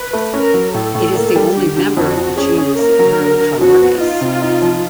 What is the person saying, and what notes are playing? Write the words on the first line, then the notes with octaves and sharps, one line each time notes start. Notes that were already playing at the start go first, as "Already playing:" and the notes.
It is the only member of the genus "Urotriorchis".
Already playing: B4
A3
C#4 A#4
F#3
A2 A4
A2
A#3
G3
D3 G4
D3
F2 F#4
F2
C#4 G#4
C#4
A#3 A#4
F#3
D3
D3
F2 F#4
B3
D#4 F4
C3
D#4
F3